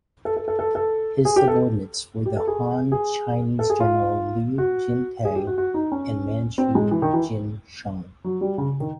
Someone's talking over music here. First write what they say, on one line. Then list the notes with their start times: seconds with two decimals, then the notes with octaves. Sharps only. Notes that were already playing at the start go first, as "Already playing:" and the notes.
His subordinates were the Han Chinese General Liu Jintang and Manchu Jin Shun.
0.25 A4
0.37 A4
0.48 A4
0.59 A4
0.75 A4
1.25 G#4
1.36 G4
1.48 A4
2.26 G4
2.37 A4
2.48 G#4
2.92 G#4
3.59 A4
3.70 G#4
3.80 F4
4.58 F#4
5.25 G#4
5.36 G4
5.47 F#4
5.58 F#4
5.74 D#4
5.92 C#4
6.58 C4
6.75 G#3
6.91 E3
7.02 D#3
7.14 E3
8.24 F#3
8.41 G3
8.58 C#3
8.80 D#3